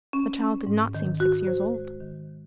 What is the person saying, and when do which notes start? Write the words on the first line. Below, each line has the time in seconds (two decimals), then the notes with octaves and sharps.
The child did not seem six years old.
0.13 C#4
0.40 C#4
0.67 G#2
0.95 D#3
1.20 F#4
1.47 C5
1.75 G#3
2.01 D#3